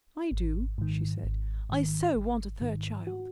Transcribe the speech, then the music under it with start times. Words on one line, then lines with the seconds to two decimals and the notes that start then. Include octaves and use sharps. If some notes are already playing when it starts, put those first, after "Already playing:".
"I do," she said, "I so want a third child."
0.32 G#1
0.78 G#2 D#3
1.23 G#1
1.69 G#2 D#3
2.15 G#1
2.61 G#2 D#3
3.07 F#4